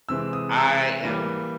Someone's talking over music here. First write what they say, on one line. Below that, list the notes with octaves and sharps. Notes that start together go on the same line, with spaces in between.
I am
C3 E3 G#3 C4 E6
D#6
E6
E3 G3 A#3